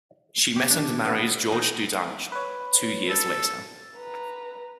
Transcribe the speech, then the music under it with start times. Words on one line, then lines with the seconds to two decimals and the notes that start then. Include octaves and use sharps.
She met and married George Dudach two years later.
0.56 G4
0.70 D4
1.05 B3
1.52 D#4
2.32 B4 C#5
3.09 A4
3.96 B4 A#5